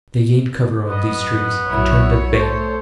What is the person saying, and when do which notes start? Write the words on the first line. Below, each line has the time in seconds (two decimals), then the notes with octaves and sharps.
They gained cover of these trees, and turned at bay.
0.88 F#2 B3 D#5
1.69 B1 F#3 E4 F#4 C#5
2.39 A3 A4 C5